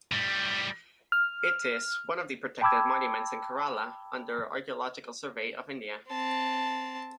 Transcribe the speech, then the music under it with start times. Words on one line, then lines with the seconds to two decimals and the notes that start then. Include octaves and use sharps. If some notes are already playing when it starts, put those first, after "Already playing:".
It is one of the protected monuments in Kerala under Archaeological Survey of India.
0.12 A2 G3
1.12 F6
2.61 G5 A5 B5 D6 E6 G#6
6.09 C4 A5